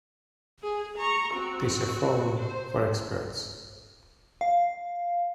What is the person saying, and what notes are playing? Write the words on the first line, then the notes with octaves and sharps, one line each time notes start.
This a forum for experts.
G#4
A#5 C#6
C4 F#4
C5
F5